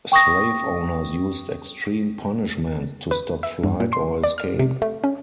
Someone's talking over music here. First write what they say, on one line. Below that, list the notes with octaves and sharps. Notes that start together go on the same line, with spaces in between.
Slave owners used extreme punishments to stop flight, or escape.
G5 C#6 D#6 A#6
B4
E5
G2
A#2
C6
D5
F6
C3
A3
C#4